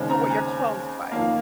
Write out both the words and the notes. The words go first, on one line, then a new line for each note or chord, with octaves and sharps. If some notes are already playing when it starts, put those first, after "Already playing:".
to what your clothes like.
Already playing: D#2 C#3 G#3 C4
A#5
G#5
F2 D#3 A#3 F5